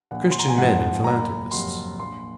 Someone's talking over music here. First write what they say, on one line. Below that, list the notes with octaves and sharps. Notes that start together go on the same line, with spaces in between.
Christian men and philanthropists!
A#1 F#5
C6
A#5
G#5
G#2 F3 F#5
F#1 A#5
F2 C3 F#3 C6
A#1 C6